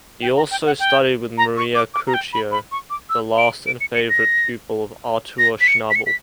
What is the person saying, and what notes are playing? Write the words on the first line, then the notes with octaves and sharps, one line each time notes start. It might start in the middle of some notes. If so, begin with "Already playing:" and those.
He also studied with Maria Curcio, the last and favourite pupil of Artur Schnabel.
G5
A#5
G5
F#5
G5
A#5
C#6
D6
D6
A#5
G5
B5
B5
C#6
D6
E6
D7
D7
C#7
C#7
A#6
A#6
B6
C#7
B6
C#7
B6